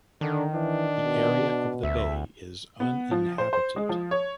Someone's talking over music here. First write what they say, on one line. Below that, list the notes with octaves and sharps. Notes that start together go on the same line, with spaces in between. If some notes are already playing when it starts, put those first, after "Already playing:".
The area of the bay is uninhabited.
D3 D#3 D4
E3 D4
B2
D2 E5
B3
F3
C5
C5
G#3
F3
C#5